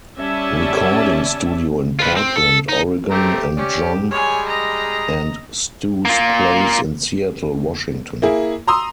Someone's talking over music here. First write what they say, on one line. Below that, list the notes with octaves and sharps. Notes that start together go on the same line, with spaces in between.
Recording Studio in Portland, Oregon and John and Stu's Place in Seattle, Washington.
G3 C#4 D5 E5 A5
F4 B4
C4
A4
D#4
A3 C4 G4 A#5
C#4 G4 D5
G3 G#3 C#5 G#5
D#5 A#5
A#3 F4
A#3 E4 G#4
A#5 C6 D#6 E6